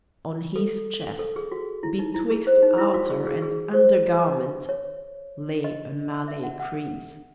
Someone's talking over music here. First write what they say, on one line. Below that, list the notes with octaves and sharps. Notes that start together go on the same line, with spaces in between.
On his chest, betwixt outer and under garment, lay a Malay kreese.
A4
A4
G#4
F#4
E4
D#4
E4
G#4
C5
D#4
E4
F#4
G#4
G#4
G#4
C5
C#5
D#5
E5
F#5
F#5